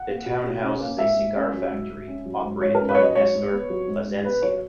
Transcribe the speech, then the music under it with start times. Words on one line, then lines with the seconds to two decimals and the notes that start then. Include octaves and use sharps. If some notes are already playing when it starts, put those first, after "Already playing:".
The town houses a cigar factory operated by Nestor Plasencia.
Already playing: F#5
0.08 A#3
0.26 B2
0.44 B2
0.63 C#4
0.81 A#3
0.99 G#2 E5
1.16 G#2
1.35 C#4
1.53 F#3
1.71 G#2
1.89 G#2
2.08 C#4
2.25 F#3
2.44 G#2
2.61 G#2 C#5
2.75 A#4
2.80 C#4
2.89 B4
2.95 C#5
2.98 F#3
3.03 D#5
3.15 G#2 C#5
3.35 G#2
3.52 B3
3.70 F#3
3.88 G#2
4.07 G#2
4.25 B3 B4
4.42 F#3 C#5